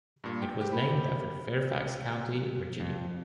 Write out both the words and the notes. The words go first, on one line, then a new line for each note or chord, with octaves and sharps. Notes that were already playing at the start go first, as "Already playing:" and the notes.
It was named after Fairfax County, Virginia.
G2 A#2
G5
G4
A#4 C5 B5
F2